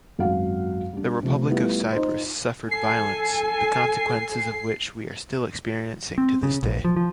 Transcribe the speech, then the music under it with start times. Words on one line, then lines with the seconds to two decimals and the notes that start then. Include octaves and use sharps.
The Republic of Cyprus suffered violence, the consequences of which we are still experiencing to this day.
0.18 G#1 F#2 F#3 F#4 F5 F#5
0.93 G3 D4
1.23 C3 F3 A3
1.49 G3 A3 B3 E4 F4 G4
1.92 D#4 F4 C5
2.71 A4 G#5 C7
6.18 C4
6.43 C#3
6.63 A#1
6.85 F3
6.96 F3